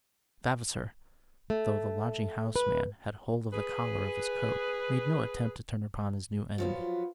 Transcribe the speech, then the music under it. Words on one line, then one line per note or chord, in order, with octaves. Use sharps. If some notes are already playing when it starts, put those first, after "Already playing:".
Vavasor, though the lodging-house man had hold of the collar of his coat, made no attempt to turn upon his new enemy.
A3
B4
G#4 B4
F3 F#3 B3 F4